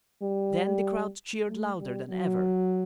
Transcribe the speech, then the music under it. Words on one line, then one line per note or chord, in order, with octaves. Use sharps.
Then the crowd cheered louder than ever.
G3
A3
G3
F#3